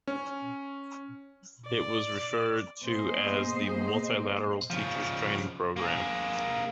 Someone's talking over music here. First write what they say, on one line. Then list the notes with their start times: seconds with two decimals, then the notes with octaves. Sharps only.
It was referred to as the Multilateral Teachers' Training Programme.
0.07 C#4
1.67 D5
2.81 A#3 B3 G#4 C5 D#5
4.70 C#3 F3
5.76 A#3 G#4